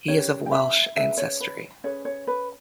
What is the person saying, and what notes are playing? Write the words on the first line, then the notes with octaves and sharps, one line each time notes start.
He is of Welsh ancestry.
C#4 G4 A#4 C#5
G5
E5
C#4 G#4 B4 E5
C#5
B4
C#4 G#4 B4 C#5
C#5
B4